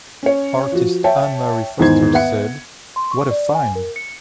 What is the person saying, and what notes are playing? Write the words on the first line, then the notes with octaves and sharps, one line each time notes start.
Artist Ann Marie Foster said, What a find!
C#4 C#5
F3 F#4
C#5 E5 G5 A5
E2 G#2 D#3 C5 G#6
B3 E5 F#5 C#7
C6
C#6
D5
G#5
A#4
C#7